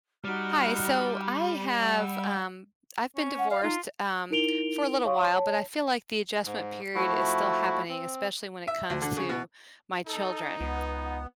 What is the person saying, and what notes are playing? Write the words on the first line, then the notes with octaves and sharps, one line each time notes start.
Hi. So I have, um I've been divorced, um, for a little while, but I feel like the adjustment period is still happening, especially when it comes to my children.
G3 D#4 F#4 F6
F#5 E6
C#4
F#5
D5 F5
D#4 F4
D#4 E4 A#4 D7 F7 G7
C#5 F5 C6 C#6 D#6
C#5 A5
G#2
F3 A3 E4 F#4
C4
E5
D2
D3
C#3
B2
D#4 A4
C#2 B3